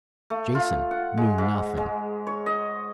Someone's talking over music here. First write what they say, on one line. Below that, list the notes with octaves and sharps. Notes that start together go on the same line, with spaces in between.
Jason knew nothing.
A3
F4
F#5
G#3
G#2
G#3
C#5
D#5